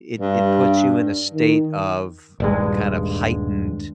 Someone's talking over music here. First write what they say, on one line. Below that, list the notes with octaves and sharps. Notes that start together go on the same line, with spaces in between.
it it puts you in a state of, uh, kind of heightened
G2
D#3
D#1 G2 G#3